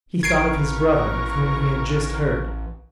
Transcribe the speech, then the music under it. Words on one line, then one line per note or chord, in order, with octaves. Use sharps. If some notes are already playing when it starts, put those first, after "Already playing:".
He thought of his brother, of whom he had just heard.
A1 E3 A#4 B4 C#6 G#6 C7 D7